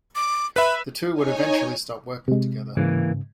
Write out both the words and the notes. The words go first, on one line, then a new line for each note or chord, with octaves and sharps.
The two would eventually stop working together.
D6
B4 E5 B5
D#4 C#5 G#5
C3 G#3
G#2 C#3 E3 A#3